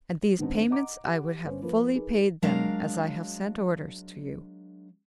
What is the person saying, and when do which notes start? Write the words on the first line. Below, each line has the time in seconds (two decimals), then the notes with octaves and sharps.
And these payments I would have fully paid them, as I have sent orders to you.
0.39 G#2 D#3 B3 C4 D4 D#4
0.71 D#5 F#5 A#5 D6
1.04 G4 F#5
1.44 G1 C#4 C5
1.62 F3 A#3 B4
1.95 D#4 G#4 A#4 B4
2.42 F#3 G#3 D4 A#4 F5